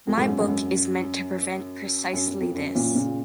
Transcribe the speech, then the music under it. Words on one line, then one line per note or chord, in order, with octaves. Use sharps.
My book is meant to prevent precisely this.
F2
G#2
F#2
G#2
F#2
F#2
F#2
F2
F#2
F#2 A#2
A#2 C#3